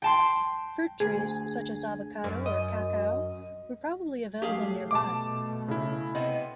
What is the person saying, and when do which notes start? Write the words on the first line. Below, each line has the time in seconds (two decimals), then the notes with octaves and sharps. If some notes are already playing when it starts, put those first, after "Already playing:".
Fruit trees, such as avocado or cacao, were probably available nearby.
0.02 G5 A5 C6
1.00 D2 G#4
2.24 F#2
2.46 D#5
4.42 F#3 A3 G4 G#4 F5
4.91 B2 A3 A5 D6
5.68 C#3 E4
6.15 C3 B3 D#5